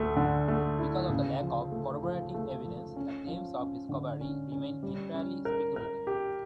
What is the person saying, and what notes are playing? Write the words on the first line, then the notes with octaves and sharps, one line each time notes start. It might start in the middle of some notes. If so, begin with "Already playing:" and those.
Because of the lack of corroborating evidence, the claims of discovery remain entirely speculative.
Already playing: D2 D3 A3
D3
A3
E4
C#3
F3
A3
F3
A3
F3
C#4
F3
C#4
D3
C#4
C#4
G3
C#4
A#4
A#4
G4